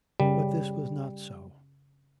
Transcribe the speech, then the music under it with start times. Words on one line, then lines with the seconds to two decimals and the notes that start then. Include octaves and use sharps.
But this was not so.
0.20 C#3 G3